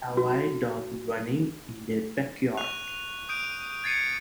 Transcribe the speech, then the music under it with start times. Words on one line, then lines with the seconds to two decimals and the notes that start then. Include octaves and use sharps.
A white dog running in the backyard.
0.17 F#4
2.57 C#6 F#6 F7
3.29 D#6 G6 D7 D#7
3.84 G#6 A6 C7 C#7 D#7